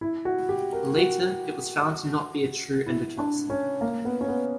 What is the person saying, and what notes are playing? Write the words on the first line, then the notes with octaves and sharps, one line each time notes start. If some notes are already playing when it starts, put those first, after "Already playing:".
Later, it was found to not be a true endotoxin.
E4
F#4
G4
A#4
F#4
E4
D4
C#4
A#3
B3
C#4
B3